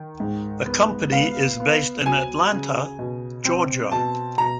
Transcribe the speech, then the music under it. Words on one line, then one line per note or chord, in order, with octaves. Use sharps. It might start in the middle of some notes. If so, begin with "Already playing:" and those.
The company is based in Atlanta, Georgia.
Already playing: D#3
G#2
B3
B3 F5
B3
F#3 G#5
C#3
B2
C4
B2 A5
B2 A#5